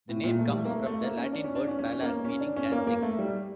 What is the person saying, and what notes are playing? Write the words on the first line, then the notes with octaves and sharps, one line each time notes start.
The name comes from the Latin word "ballare", meaning "dancing".
A2
A#2
A3
G3
A3
A#3
A3
A3
A#3
C#4
D4
C#4
D4
C#4
C#4
C#4
A#3
C#4
D4
C#4
A#3
A#3
A3
G3